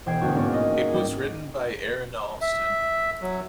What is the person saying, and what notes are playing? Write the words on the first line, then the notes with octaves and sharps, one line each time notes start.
It was written by Aaron Allston.
E1 C5 G5 G#6 C7
G1 E2 A3 F#4 A5 C#6
G#2 A#3 C#4 D5
D#5
G#4
G3
E5
F#3